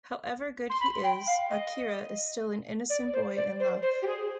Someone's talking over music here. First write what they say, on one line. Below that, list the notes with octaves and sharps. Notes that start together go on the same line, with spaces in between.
However good he is, Akira is still an innocent boy in love.
C6
B5
G5
F5
D#5
D5
C5
D5
C5
C5
G4
G#4